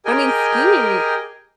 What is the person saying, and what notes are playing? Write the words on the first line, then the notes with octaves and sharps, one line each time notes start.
I mean, skiing
G4 G#4 A#4 D#5 G5 G#5